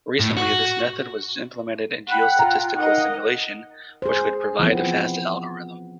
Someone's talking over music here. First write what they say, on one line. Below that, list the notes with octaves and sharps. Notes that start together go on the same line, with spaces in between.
Recently, this method was implemented in geostatistical simulation which could provide a fast algorithm.
A2
F#4
F#5 G5 B5 F#6
F4 A#5
D#4 A#4 D#5 F5 F#5
G#4 C5
E3 F3 B3 C4